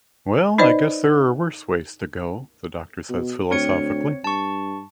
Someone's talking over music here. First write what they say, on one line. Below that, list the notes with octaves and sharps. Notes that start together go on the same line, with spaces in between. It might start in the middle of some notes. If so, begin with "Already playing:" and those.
"Well, I guess there are worse ways to go," the doctor says philosophically.
D#4 B4 C5 D5 D#5
B2
D2 C4 C#5 C#7
G2 A5 C#6